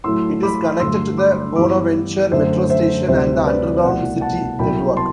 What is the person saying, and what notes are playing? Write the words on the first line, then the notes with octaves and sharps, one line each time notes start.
It is connected to the Bonaventure metro station and the underground city network.
A2 F#3 A3 C6 E6
B5 D6
G2 D3 F#3 A3 C6 E6
B5 D6
G2 E3 G3 B3 B5 D6
F#2 D3 A3 C5 E5
C5 E5
D2 C3 G3 C5 E5
B4 D5
C2 B2 A3 D5 F#5
F#5 A5
C2 B2 F#3 G5 B5
A5 C6